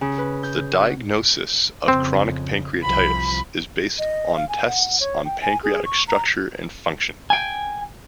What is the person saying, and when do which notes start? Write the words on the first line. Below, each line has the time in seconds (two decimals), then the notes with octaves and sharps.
The diagnosis of chronic pancreatitis is based on tests on pancreatic structure and function.
0.01 C#3
0.18 B4
0.43 G6
0.73 F#4
1.88 F2 C#3 C4
2.83 C2 F3 B5
3.99 D#5
4.36 F5
4.49 G#5
4.67 F#5
5.00 C#5
5.25 G5
5.42 G#5
5.63 G#4
5.85 C#6
6.08 A#5
7.30 G5 G#5